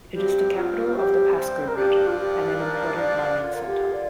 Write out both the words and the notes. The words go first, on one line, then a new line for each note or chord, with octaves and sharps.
It is the capital of the Pasco region, and an important mining center.
G2 G3 C4 G4
F4
G4
C5
A#4
G2 F3 A#3 D4 G4
F4
G4
A#4
D5
D3 A#3 F4 D5
A#4
G4
D5